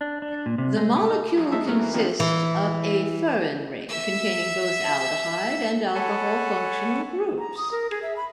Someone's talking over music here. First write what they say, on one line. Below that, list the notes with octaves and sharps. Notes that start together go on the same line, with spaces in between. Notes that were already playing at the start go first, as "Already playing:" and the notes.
The molecule consists of a furan ring, containing both aldehyde and alcohol functional groups.
D4
D4
A#2
C3
G#3
A3
D#4
F3 F#3 G#4
G#3 D#4 E5 A5 E6
A2 F#3 A3 F6
E3 A#3
G#1 D#3 F3 D4 D#4
E3
E5 E6
A4 C#5 F#5 G#5 A5 B5
A#5
D#6
A#4
G#4
E5
B5